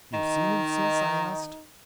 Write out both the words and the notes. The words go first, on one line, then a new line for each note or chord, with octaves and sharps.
"You've seen him since?" I asked.
D#3 D#4